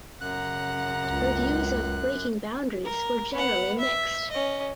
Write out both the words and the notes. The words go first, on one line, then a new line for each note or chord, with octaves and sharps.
Reviews of "Breaking Boundaries" were generally mixed.
F#2 C#3 F#5 A#5 F#6
C#2
A#4
B3 F#5
E5
C#4 D#5